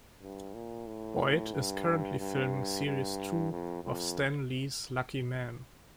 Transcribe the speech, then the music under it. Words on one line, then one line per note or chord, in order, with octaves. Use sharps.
Boyd is currently filming series two of Stan Lee's Lucky Man.
G2
A#2
A2
G2
G2
G2
F2
F2